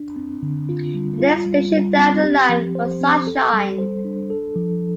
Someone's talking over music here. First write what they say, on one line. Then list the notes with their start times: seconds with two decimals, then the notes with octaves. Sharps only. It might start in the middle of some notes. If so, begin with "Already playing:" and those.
The next station down the line was Sunshine.
Already playing: D4
0.16 C4
0.43 D3
0.69 F4
0.94 G3
1.20 F4
1.46 G3
1.71 G3
1.98 C4
2.23 G4
2.49 F3
2.75 C5
3.01 C4
3.27 A4
3.53 G3
3.78 C5
4.05 D4
4.30 A4
4.56 F3